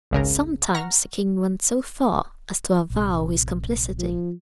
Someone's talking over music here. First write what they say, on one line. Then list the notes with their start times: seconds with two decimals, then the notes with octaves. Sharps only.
Sometimes the king went so far as to avow his complicity.
0.11 G#1 C#2 C#3 A#4
0.74 F#5 A#5 C#6 F6 A#6
2.90 A#1 C3
3.99 F3